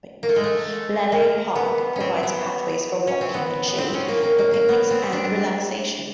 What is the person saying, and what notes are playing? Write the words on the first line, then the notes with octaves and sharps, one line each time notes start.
Laleh Park provides pathways for walking and shade for picnics and relaxation.
A#3
A3
G#3
A3
A#3
B3
C4 C#4
B3
C#4
C4
B3
B3
C4
C#4
A#3
A#3
A#3
A#3
B3
C4
D4